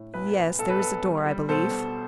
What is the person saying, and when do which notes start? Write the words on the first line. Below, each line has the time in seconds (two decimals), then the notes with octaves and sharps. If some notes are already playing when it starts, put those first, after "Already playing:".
"Yes, there is a door, I believe."
Already playing: A2
0.14 B1 B4
0.37 B1
0.59 B1 A4
0.70 B4
0.80 B1 A4
1.04 G3
1.26 G3
1.49 B2 A4 C5
1.71 B2